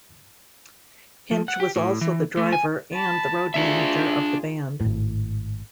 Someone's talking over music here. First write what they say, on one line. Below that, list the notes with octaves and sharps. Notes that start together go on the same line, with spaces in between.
Hinch was also the driver and the road manager of the band.
F3
F#5
G4
A2
E3
A3
G#5
A5 B5
D4 F4 G#4 E5
G#1 A2